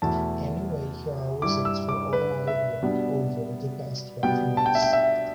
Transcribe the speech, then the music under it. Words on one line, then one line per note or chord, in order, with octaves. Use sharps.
Anyway here are results of our hard work over the past twelve months.
E2 B2 A3 E4 A5
G2 G3 E4 D6
E6
D6
B4
E5
B2 G3 B3 D4
B2 G3 B3 G5
A5
G5
E5
G5
E5